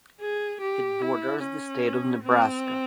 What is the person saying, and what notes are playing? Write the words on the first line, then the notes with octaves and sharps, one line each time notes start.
It borders the state of Nebraska.
G#4
G4
E4
C#4
C4